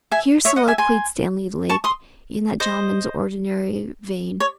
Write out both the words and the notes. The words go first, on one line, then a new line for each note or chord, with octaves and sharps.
Here soliloquised Stanley Lake in that gentleman's ordinary vein.
E5 G#5
C#5 E5
D#5 F#5
E5 G#5
G#5 C6
A5 C#6
C6 D#6
C5 D#5
C#5